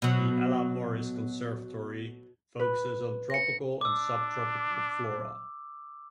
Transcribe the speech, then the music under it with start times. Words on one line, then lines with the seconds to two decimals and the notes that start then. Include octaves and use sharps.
The Ella Morris Conservatory focuses on tropical and subtropical flora.
0.02 B2 F#3
2.60 B4
3.30 A#6 C#7
3.81 D4 D6 E6